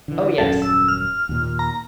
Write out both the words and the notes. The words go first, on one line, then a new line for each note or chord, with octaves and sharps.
Oh yes!
D3 E3
D#1 F#2 C#4 A4
E6
F6
D#2 A#2
A#5